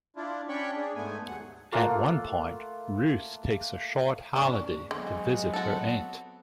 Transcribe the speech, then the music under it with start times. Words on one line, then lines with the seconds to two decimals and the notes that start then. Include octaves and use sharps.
At one point, Ruth takes a short holiday to visit her Aunt.
0.16 D4 E4 F4
0.49 C#4 D4 C#5 G5 B5 C#6
0.76 D4 G#4
0.95 G#2 A3 B3 G#5
1.27 D#2 F#3 G#4 F#5
1.72 A3 A#3 F4 F#5
4.36 A1 E2 C#4 D4
4.91 D3 F#3 G#3 B3 C4
5.53 F#4 A4